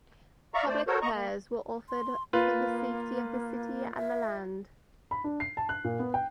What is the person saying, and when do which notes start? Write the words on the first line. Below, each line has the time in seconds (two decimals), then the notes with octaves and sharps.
Public prayers were offered for the safety of the city and the land.
0.54 D5 E5 F5 A#5 C#6
0.67 A3 C5 D5
0.87 F#4 A4 A#4 C5 C#5
1.02 D#5 A#5 C#6
1.14 A#3
1.89 C6
2.33 A#3 F4 B4
3.95 E5
5.11 B5
5.24 D4
5.40 C7
5.57 A5
5.69 F#6
5.84 A#2
5.99 B3
6.14 G5